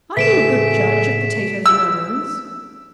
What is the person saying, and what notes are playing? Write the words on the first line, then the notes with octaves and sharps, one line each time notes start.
Are you a good judge of potatoes and onions?
A2 C#3 A3 A#3 G#4 B6 D7 E7
E6